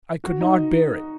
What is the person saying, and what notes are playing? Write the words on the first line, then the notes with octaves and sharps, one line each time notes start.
I could not bear it.
F#4
D#4